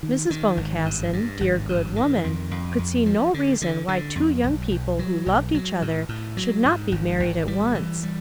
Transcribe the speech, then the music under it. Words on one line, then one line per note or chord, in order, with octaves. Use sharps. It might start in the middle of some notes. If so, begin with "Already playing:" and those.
Mrs. Boncassen, dear good woman, could see no reason why two young people who loved each other should not be married at once.
D#3
D#3
G#1
G2
G2
G#1
G2
D#3
F2
F2
F2
F3
D3
D3
D3
F2
B1
B1
F#3
B1
F#3
A2
A2
F#3
G#2
G#1
G#1
G3
E3
G3